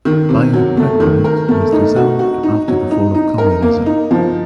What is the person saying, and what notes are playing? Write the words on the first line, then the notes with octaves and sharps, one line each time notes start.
Biopreparat was dissolved after the fall of communism.
D#3
C3
F#3
A3
D#3
A#4
A3
D#4
F#4
F#4
D#4
F#3
D#4
D#4
A#4
A#3
D#4
F3